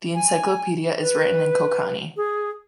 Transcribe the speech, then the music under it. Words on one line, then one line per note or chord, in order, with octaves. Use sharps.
The encyclopedia is written in Konkani.
G#5
B4
G#4